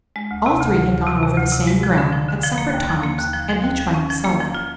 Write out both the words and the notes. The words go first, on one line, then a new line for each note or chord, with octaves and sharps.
All three had gone over the same ground, at separate times, and each by himself.
G#3
D2
C3
D2
D2
D2
C3
C3
D2
C3
G#3
F3
D3
F3
D3
F3
A#3
D#2
F3
A#3
D#2
F3
F3
D#2
F3
C#4
F3
A#3
F3
F4